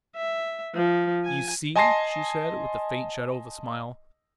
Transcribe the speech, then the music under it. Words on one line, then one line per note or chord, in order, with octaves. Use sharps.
"You see?" she said, with the faint shadow of a smile.
E5
F3
G#5
D#5 G#5 A5 C6 A#6 C7